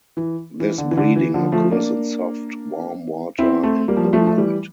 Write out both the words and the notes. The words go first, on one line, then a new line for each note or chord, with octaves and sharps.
This breeding occurs in soft, warm water in low light.
E3
E3
D3
E3
D3
E3
D3 F3
F3 A3
A#3 D4
C4 E4
A3 C4
G3 A#3
F3
G3
F3 A3
A3
E3 G3